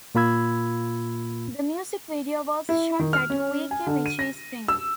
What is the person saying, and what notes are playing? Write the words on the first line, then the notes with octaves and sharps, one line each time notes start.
The music video was shot at Weeki Wachee Springs.
A#2 A#3 F4 B5 E6 G#6
E4
D#3
F6
C#4
G#5
D3
D#7
A#6
E6